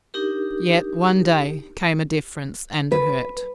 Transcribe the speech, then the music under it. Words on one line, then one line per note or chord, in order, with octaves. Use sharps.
Yet, one day, came a difference and a hurt.
D4 D#4 G4 A#4
B4